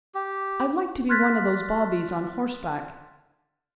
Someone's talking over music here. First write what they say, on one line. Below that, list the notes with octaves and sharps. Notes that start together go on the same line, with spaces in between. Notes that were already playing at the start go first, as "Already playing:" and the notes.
I'd like to be one of those bobbies on horseback.
G4
C6 F6 F#6 G#6 A6 B6